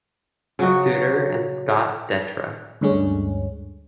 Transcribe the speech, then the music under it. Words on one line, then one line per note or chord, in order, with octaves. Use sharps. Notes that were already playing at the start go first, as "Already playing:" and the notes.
Suter, and Scott Dettra.
C#3 F#3 F#4 D#5
D2 G2 D3 G#3 C#4